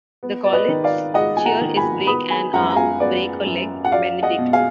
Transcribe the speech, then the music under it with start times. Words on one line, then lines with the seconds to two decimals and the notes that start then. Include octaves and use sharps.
The college's cheer is Break an arm, break a leg, Benedict!
0.23 B3
0.44 D5
0.53 B4 D#5
0.68 D#3
0.84 D5 F5
1.14 G#3 D#5 F#5
1.37 G#5
1.46 F#5 A#5
1.61 D#3
1.77 G#5 B5
2.07 B3 B5 D#6
2.30 G#5 B5
2.53 F#2 F#5 A#5
2.70 A#5
2.76 F5 G#5
2.99 B3 D5
3.46 F#2
3.85 F#5
3.92 F#3 D5 F5
4.23 D#5 F#5
4.38 B2
4.53 F5 G#5